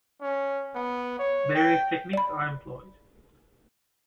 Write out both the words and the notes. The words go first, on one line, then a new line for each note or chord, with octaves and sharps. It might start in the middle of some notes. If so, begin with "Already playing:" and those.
Various techniques are employed.
C#4
B3
C#5
G5
D5 B5